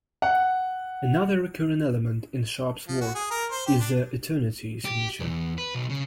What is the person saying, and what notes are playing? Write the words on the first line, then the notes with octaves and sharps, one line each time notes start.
Another recurring element in Sharp's work is the "Eternity" signature.
F#5
F3
F#4
G#4
A#4
C5
G4
D4
G4
E2
B4
B1
C#3